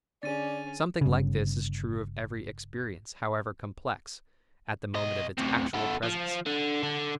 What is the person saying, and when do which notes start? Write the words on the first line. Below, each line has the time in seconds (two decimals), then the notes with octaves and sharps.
Something like this is true of every experience, however complex, at the moment of its actual presence.
0.23 D3 C#4 G#4 D5 A6 D#7
1.01 G1 C#3
4.95 B1 D#5
5.38 D2 C3
5.74 B3 A4
6.03 F3
6.46 D3
6.83 D3